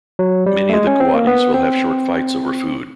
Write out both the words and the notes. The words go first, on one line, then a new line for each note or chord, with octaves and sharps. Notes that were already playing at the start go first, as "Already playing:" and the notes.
Many of the coatis will have short fights over food.
F#3
G3
A3
G#3
C#4
C4
A#3
B3
C4